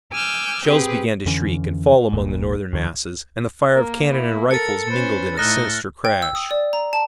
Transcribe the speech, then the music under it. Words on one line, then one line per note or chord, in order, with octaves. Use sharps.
Shells began to shriek and fall among the Northern masses, and the fire of cannon and rifles mingled in a sinister crash.
G#5 D6 E6 F6 G6
C4 G4 G#4 B4
F2 D3 E3 C#4
F#1 D#2 A#2
D#2 D#3 F3
A#3 A#4
E4
A4 A#4 A6 C#7
C#4 B4 C5
A2 A3 D#4 A4 F6 F#6 A#6
G5
E6
D#6
D5
A#5
A5